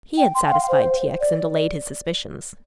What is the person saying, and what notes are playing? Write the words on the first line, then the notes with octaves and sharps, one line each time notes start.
He had satisfied T. X. and allayed his suspicions.
G5
C6
G5
F5
C5
D5